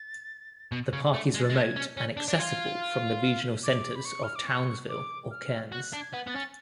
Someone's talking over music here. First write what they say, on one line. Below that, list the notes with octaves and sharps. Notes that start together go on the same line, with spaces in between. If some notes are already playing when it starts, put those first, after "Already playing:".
The park is remote, and accessible from the regional centres of Townsville or Cairns.
Already playing: A6
B2
C#3
A3
G#3
A6
G#3
A3 G#6
C#4
C#4
D4
D4
F4 G#6
F6
F6
D6
B5
C#6
F6
D6
C#6
D6
F6
F#4 F#6
D4
G#6
B3
B3 A6
C#4